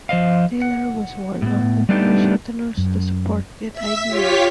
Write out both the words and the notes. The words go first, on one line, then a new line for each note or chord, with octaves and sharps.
Taylor was one of the few Southerners to support that idea.
F3 C5 D#5 F5
F#5
A2 B3
G3 A3 B3 D4 D#4 G4
F#2
E5 E6 B6
F4 G4 C#5 B6